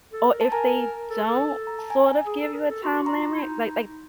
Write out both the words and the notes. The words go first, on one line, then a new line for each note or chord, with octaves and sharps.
or if they don't sort of give you a time limit, like like
A4
A#4
A5
A#4 G#5 A#5
A4
A#5
A5
G#5 A#5
G#4
A4
A#4
A4
F#4 C6
C#6
A#5 C6
F4
E4
D#4